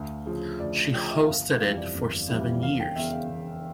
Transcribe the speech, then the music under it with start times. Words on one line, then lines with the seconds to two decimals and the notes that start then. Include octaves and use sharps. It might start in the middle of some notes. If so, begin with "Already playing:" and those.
She hosted it for seven years.
Already playing: D2 F5
0.26 C#3 F3
0.60 D2 D5
0.76 D5
0.93 C#3 F3 G5
1.11 E5
1.27 G1 F5
1.61 F2 E3 G3 F5
1.78 D5
1.95 G1
2.28 F2 E3 G3
2.62 E1 F5
2.80 G5
2.96 E2 C#3 E5
3.13 F5
3.29 E1